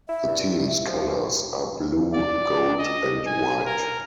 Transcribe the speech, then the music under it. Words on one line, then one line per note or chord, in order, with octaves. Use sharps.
The team's colors are blue, gold and white.
E4 E5
G2
F3
D5
D#5
G#5
A#4